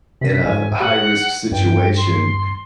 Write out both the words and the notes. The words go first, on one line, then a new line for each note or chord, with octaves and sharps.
in a high risk situation
C3 B6
G#2 G#5
G4 F#5
G2 G5
C6